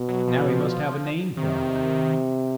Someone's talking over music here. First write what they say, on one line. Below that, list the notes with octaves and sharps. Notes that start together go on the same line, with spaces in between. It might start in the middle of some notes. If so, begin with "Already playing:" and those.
Now we must have a name for our land.
Already playing: B2
F#3
F3
E3
F3
C3 D#3